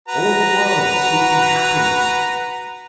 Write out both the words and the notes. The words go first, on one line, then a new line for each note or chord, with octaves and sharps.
All the world is seeking happiness.
F#4 B4 A#5